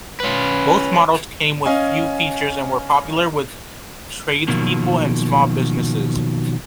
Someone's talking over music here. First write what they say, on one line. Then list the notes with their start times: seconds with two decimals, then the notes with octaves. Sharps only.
Both models came with few features and were popular with tradespeople and small businesses.
0.20 C#4 B4
1.66 C#4 D#5 F5 G#5
4.48 B2 D#3 F3 F#3 A#3